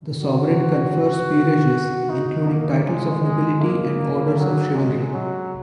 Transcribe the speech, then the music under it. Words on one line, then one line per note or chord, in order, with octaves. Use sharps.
The sovereign confers peerages, including titles of nobility and orders of chivalry.
F#4
D#4
A#3
G#3
G#3
A#3
F#3
G#3
F#3